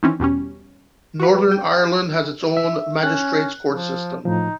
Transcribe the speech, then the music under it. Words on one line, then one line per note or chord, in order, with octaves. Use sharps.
Northern Ireland has its own Magistrates' Court system.
D#3 E3 C4 C#4
E2 B2 G3 C#4
F#4 B4
G5
E5
C#4 F#6
F3
A2 F3 D#4